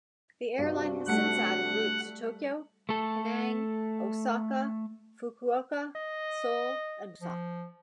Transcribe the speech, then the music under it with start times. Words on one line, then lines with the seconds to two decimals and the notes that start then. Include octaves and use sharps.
The airline has since added routes to Tokyo, Penang, Osaka, Fukuoka, Seoul and Busan.
0.59 G2 C3 D4 F#4
1.07 G3 A3 F#5
2.89 A3 A4
5.95 D#5
7.21 F3